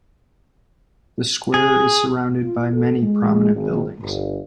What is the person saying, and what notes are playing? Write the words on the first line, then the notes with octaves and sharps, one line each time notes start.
The square is surrounded by many prominent buildings.
G#4
F4
A4
G#3
G#1
G1